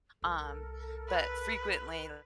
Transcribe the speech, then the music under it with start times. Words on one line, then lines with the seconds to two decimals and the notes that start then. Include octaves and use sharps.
Um, but frequently
0.22 C2 A4 A#4
1.08 B4